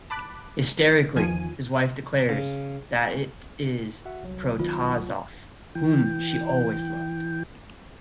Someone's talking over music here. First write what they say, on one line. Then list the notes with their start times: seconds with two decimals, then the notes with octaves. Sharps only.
Hysterically, his wife declares that it is Protasov whom she always loved.
0.10 A5 B5 D6 F#6
1.16 E2 D#3 F3 G#5 D#7
2.29 C#3
4.05 F#4 E5 F#5
4.23 C2 F#3
4.59 D#3 B3 F4
5.75 E3 G5